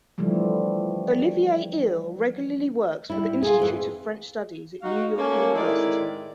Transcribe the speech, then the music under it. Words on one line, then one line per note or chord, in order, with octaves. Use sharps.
Olivier Ihl regularly works with the Institute of French Studies at New York University.
D3 E3 F3 G3 A3
G3 E4
F4 G#4
F2 E3
D#4 F#4 F5
A3 A#3 C#4
A2 D#3 G#3 C4 E4 D5